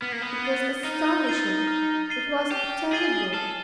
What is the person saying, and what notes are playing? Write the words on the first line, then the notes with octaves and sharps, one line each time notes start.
It was astonishing. It was terrible!
B3 F6
A#3
B3
A6 C7 D#7 G7
D#4 F6
A6 C7 D#7 G7
F6
A6 C7 D#7 G7
G4 F6
G#4 A6 C7 D#7 G7
A4 F6